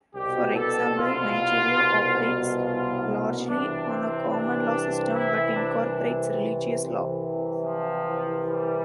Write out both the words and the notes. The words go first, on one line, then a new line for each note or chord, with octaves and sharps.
For example, Nigeria operates largely on a common law system, but incorporates religious law.
C2 B2 G4
A4
F4
F4
C2 C3 E3 D4
C4
D4
E4
D4
C2 C3 E3
F3
G3